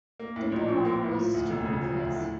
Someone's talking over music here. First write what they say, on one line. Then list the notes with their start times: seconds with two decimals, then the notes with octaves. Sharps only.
Dipa Ma was a student of his.
0.19 A#3
0.36 A2
0.52 A#1
0.68 F3
0.85 A#3
1.01 A2
1.17 F3
1.34 D2
1.50 E1
1.66 C#3
1.82 F3
1.99 D2
2.15 A2